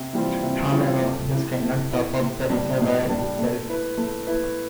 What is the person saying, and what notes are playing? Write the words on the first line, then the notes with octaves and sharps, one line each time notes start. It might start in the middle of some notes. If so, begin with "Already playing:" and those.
However this cannot top up the reservoir itself.
Already playing: C3
E3 G3 C4 F4
C3
E3 G3 C4 F4
A3
E4 G4
A3
E4 G4
A2
G3 D4 G4
A2
G3 D4 G4
A3
E4 B4
A3
E4 B4